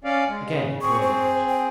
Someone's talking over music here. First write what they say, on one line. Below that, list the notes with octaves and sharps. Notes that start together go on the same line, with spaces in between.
Again he peered out.
C#4 D5 F5
G#3
C#3
C4 G#4 C#6
C5
G5